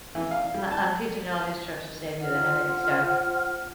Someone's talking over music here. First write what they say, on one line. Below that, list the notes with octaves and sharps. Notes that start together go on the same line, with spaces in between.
I'm teaching you all these tricks to save you the headache. So
E3
F5
G3
A5
F4 C5 F#5 F6